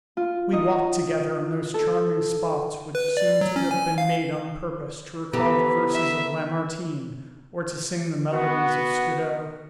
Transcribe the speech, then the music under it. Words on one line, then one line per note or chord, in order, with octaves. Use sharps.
We walked together in those charming spots which seemed to have been made on purpose to recall the verses of Lamartine or to sing the melodies of Scudo.
F4
D#4 D#5
A4
B4
D5
F#3
C#4
G#5
F5
E3 B3 G4 A4 A#5 B5
E5
B3 F#4